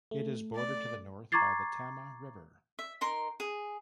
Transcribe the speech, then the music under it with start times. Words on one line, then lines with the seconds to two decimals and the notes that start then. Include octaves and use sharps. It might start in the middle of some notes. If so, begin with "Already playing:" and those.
It is bordered to the north by the Tama River.
0.11 A3
0.55 D5
1.32 A#5 C#6 D6 G#6 A6 C7
2.79 E5
3.01 D#4 A#4 C6
3.40 G#4